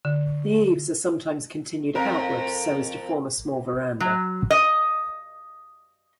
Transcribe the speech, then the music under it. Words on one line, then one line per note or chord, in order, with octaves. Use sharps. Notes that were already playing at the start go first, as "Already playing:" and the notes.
The eaves are sometimes continued outward so as to form a small verandah.
D3
F2 A#4
F#3
D#5